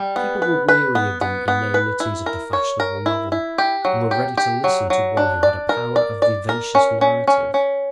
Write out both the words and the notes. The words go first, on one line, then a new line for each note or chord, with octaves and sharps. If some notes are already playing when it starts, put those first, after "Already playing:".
People were weary of the inanities of the fashionable novel, and were ready to listen to one who had a power of vivacious narrative.
Already playing: G3
B3
B4
B4
B3
B3
B3
B4
E4
A#4
C#5
A#4
E4
E4
G4
F#3
G4
G4
F#3
F#3
D4
D5
A#4
D5
D5
A#4
C#4
C#4
C#4
C#4